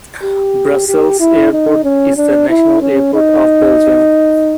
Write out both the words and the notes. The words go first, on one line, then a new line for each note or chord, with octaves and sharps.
Brussels Airport is the national airport of Belgium.
G4
G4
E4
D#4
C#4
D4
E4
C#4
D#4